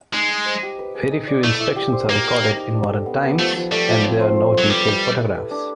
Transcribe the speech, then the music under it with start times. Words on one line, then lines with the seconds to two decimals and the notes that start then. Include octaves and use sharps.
Very few inspections are recorded in modern times and there are no detailed photographs.
0.14 G#3 D#4
0.30 D#4
0.46 C5
0.63 G4
0.79 B4
0.95 G#4
1.11 D#4
1.27 D5
1.44 A3 E4
1.60 E4
1.76 G4
1.92 C5
2.09 A#3 A#4
2.25 A#4
2.41 D#4
2.57 D#4
2.74 D4
2.90 A4
3.06 B3
3.23 B3
3.39 F3 A3
3.55 F3
3.71 G3 A3
3.88 F3
4.04 C4
4.21 C5
4.36 C5
4.53 C5
4.58 F#3
4.69 G3 B4
4.85 G4
5.01 D#5
5.18 E4
5.35 B4
5.51 D4